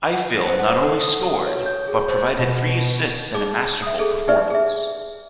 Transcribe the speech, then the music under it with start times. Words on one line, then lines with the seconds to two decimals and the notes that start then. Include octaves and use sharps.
Ifill not only scored, but provided three assists in a masterful performance.
0.12 F#5
0.45 C5
0.59 F#5
0.83 A4
1.00 D#6
1.25 F#4
1.46 C#5
1.66 G6
1.88 G#4
2.08 C5
2.39 B2
3.34 D#4 G#4 D6
3.82 E5 D#6
3.99 G#4 A4
4.28 D#4 G4 B4 C5 D5 E5
4.50 G#4 E5